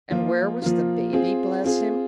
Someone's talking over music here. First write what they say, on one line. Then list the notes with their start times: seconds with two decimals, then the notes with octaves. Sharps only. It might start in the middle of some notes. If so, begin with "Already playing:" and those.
And where was the baby, bless him?
0.11 F3 A#3 F4
0.62 F3 A#3 F4
1.13 C4 F4 G#4
1.64 C4 F4 G#4